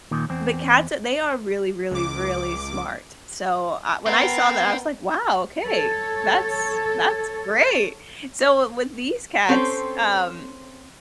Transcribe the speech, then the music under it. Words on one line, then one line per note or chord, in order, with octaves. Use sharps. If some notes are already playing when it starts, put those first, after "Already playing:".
But cats, they are really, really, really smart. So, uh when I saw that, I was, like, "Wow, okay. That's that's great." So, with these cats, um,
D#2 A#2 D#3
E2 C4
C#2 D6
B3 C4 A#4
A4 C#5
C4 C#4 A4 C5